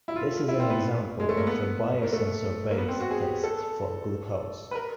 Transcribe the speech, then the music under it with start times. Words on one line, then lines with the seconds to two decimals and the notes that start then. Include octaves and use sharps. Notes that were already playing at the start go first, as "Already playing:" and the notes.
This is an example of a biosensor-based test for glucose.
0.08 E4
0.16 F4
0.48 E4
0.60 C4
0.70 B3
1.20 G#3
1.29 A3
1.37 A#3
1.47 B3
2.03 A#3
2.13 A3
2.71 A#3
2.78 B3
2.89 C4
3.00 F#4
3.11 G#4
3.22 G4
3.44 A4
4.71 B4
4.75 A#4